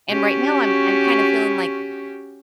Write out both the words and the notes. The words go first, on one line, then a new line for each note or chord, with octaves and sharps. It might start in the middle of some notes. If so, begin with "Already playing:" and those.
And right now, I'm I'm kinda feeling like
C#4 F#4 G4